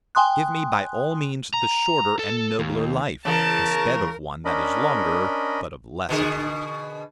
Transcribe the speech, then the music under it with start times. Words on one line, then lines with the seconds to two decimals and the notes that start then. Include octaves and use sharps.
Give me by all means the shorter and nobler life, instead of one that is longer but of less account!
0.15 G5 G#5 C6 D#6 F#6
1.54 A#5
2.19 A4
2.59 D#2
3.25 E2 C#3 A#4 A5
4.45 C#4 D4 A#4 D#5 B5
6.09 B2 D3 G#4